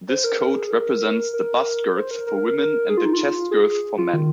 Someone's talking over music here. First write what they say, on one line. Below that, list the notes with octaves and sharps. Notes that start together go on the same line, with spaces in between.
This code represents the bust girth for women and the chest girth for men.
C5
A#4
A#4
G#4
A#4
A#4
C5
A#4
A#4
A#4
A#4
A#4
G#4
F4
D#4
F4
G#4
F4
D#3